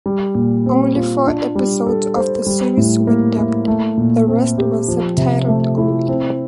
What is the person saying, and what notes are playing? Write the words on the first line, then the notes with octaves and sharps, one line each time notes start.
Only four episodes of the series were dubbed; the rest were subtitled only.
G3
A#2
C4
F4
D4
G3
A4
C5
G3
A2
A#3
E4
A3
A#2
C4
G4
F3
C3
A3
E4
C4